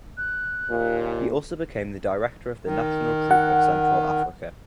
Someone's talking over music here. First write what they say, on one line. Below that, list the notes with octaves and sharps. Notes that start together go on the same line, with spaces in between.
He also became the director of the National Troupe of Central Africa.
F#6
D#2 A#2
D#3
F#5